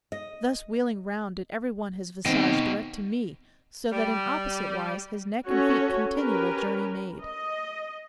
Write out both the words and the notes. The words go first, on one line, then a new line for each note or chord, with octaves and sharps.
Thus, wheeling round, did every one his visage Direct to me, so that in opposite wise His neck and feet continual journey made.
D#5
D#3 B3 C4 D#5 G5
G3
C#4 F#4 A4 C#5
C#4 G4 A#4 B4
D#5